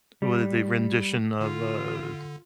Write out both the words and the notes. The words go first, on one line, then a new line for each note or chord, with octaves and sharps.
W the rendition of, uh,
G3
D3 F4